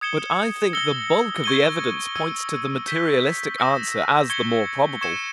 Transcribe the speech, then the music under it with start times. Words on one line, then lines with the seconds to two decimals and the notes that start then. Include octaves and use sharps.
But I think the bulk of the evidence points to the materialistic answer as the more probable.
0.01 D#6 G#6 C#7 E7 G7
0.73 E6 A#6 C#7 G7
1.44 C#6 G#6 D#7 G7
2.15 E6 G#6 D#7 G7
2.87 G6 B6 G7
3.58 E6 A#6 E7
4.30 C#6 G#6 C#7 G7
5.01 C#6 G#6 C#7 E7